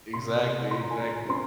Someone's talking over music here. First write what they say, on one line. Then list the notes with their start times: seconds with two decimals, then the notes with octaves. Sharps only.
Exactly exactly,
0.13 C3 C6
0.42 C3
0.71 A#2 C6
0.81 A#5
0.90 G#5
1.00 A#2 A#5
1.21 A#5
1.29 C4 C6